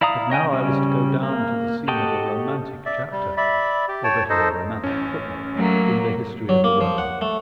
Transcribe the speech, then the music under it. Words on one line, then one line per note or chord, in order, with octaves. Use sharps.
But now I was to go down into the scene of a romantic chapter--or, better, a romantic footnote--in the history of the world.
E4 D5 F5 A#5 D#6
C#5 D#5 G5 G#5
C#3 G3 C#4
A#3
F#4 G4 A4 D#5 G5
D5 E5
G3
D5 E5 B5
G4
C#5 G5 A5
D#4 A4 C5 D#5
A1 C#4
F#3 A3 A#3
F#3
A#3
F3
F#5
A3